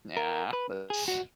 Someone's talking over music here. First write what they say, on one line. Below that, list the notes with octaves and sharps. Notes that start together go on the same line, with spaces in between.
yeah, that's
A#4
B4
G#4
F#4